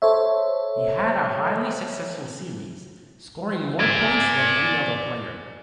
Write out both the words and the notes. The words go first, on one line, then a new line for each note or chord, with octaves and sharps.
He had a highly successful series, scoring more points than any other player.
A4 C5 C#5 E5
D5 G#5